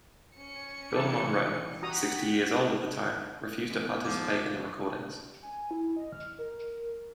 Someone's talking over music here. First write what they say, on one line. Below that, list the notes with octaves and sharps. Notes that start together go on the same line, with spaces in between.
Bill Monroe, sixty years old at the time, refused to participate in the recordings.
C#4 C#7
E3 G3 D4 A4 D5 A5
F#4 G4 F#5 A#5 D#6 B6
D3 E3 G#3 B3
F2 D#3 F3 G#3 D6
G#5
E4
D#5
F6
A#4